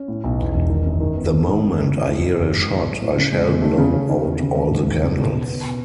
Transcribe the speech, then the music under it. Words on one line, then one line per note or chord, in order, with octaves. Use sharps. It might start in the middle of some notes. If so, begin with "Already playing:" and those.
The moment I hear a shot, I shall blow out all the candles.
Already playing: C#4
A2
B1
E2
E1
D#3
F#2
D#3
B3
D#3
G#2
F#2
B3
E3
E4
F#2
F#1
G#2
A1
F#3
A2
C#3
G#3
C#3
A3
C#3
C#4
D#3
E2
C#3
D#2
G#2
A1
C#3
D#4
B2
B3
B2